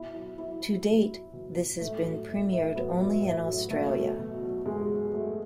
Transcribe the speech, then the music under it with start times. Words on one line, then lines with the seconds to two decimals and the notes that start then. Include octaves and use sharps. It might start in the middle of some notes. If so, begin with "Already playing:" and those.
To date, this has been premiered only in Australia.
Already playing: B2 E4
0.15 F#3
0.38 F#3 E4
0.62 F#3
0.86 F#3
1.10 F#3
1.33 B2
1.57 B2
1.81 A2 A3
2.05 F#3
2.29 A2
2.52 A2
2.76 F#3 B3
3.00 F#3
3.23 A2
3.47 F#3
3.70 B2 A3
3.95 F#3
4.19 B2
4.43 F#3
4.66 B2 G#3
4.90 F#3
5.13 F#3 A3